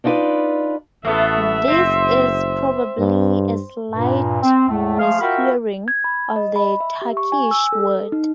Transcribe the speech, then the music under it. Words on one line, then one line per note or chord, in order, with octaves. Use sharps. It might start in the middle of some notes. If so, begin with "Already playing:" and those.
This is probably a slight mishearing of the Turkish word.
D4 D#4 F4 F#4 B4 D5
A1 A3 B3 A4 E5
F#1 C4
G2
G2 A#2
C4
E2 A2 A3
F3 A3 G#4 F5
F4 F#4 A#4 E5 G5 B5
G#6
B5
D#5
B5
E5
G4
C#6
G#5
E6
A4
D#4